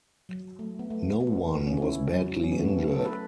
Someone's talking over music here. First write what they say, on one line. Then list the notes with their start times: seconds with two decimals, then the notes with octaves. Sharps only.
No one was badly injured.
0.29 F#3
0.59 A3
0.79 B3
0.90 A3
1.20 B3
1.67 C#4
1.82 E4
2.13 F#3
2.44 C#4
2.52 B3
2.60 A3
2.68 B3
2.94 A4
3.05 B4